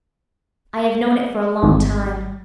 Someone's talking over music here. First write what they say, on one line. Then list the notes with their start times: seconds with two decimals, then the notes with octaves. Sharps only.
I have known it for a long time.
1.63 G#1